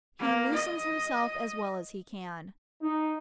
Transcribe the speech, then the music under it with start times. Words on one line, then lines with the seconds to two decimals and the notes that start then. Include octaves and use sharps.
He loosens himself as well as he can.
0.20 A#3
0.53 D#5
2.82 D#4